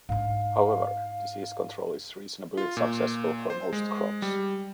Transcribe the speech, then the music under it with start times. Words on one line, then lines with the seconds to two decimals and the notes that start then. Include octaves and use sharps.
However, disease control is reasonably successful for most crops.
0.09 G#2 D4 F5
2.57 F4
2.77 A#2
3.50 C5
3.73 G#3
4.22 G3